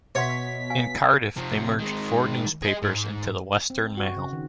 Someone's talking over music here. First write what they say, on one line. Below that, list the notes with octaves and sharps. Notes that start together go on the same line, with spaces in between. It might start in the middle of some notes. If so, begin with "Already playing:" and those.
In Cardiff they merged four newspapers into the "Western Mail".
B2 C#5 E5 F#5 C6 B6
F5 G#5
C3 F3
D#3 G#3
G#4 D#5
G#2
C4
F#4
C#3
D#3